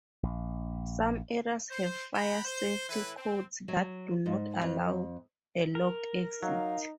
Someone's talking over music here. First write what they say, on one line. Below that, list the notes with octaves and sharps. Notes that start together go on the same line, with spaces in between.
Some areas have fire safety codes that do not allow a locked exit.
A#1
C5
F#5 G5 A#5 B5
C5
A2 E3 E4 B4
C4
F#3
G#2
F2
A#4
F#3 D#4 F5